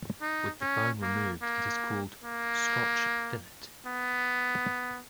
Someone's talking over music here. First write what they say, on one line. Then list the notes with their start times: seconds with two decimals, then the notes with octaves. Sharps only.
With the bone removed, it is called "Scotch fillet".
0.21 D#4
0.61 C#4
1.02 A#3
1.43 A#3
2.24 A#3
3.86 B3